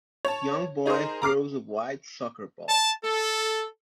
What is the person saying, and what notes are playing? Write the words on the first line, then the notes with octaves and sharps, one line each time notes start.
Young boy throws a white soccer ball.
C#5 A5
D#4 G#4 A#4 C5
A#5 D6 F6 C7
A5
A4